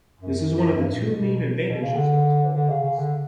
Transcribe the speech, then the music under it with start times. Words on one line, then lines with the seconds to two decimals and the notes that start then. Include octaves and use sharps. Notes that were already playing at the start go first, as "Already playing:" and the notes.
This is one of the two main advantages of callbacks.
0.21 F#2
0.72 F#2
0.79 G2
0.94 A#2
1.08 B2
1.67 B2
1.82 C#3
1.96 D3
2.54 D3
2.69 C#3
2.83 C#3
2.99 D3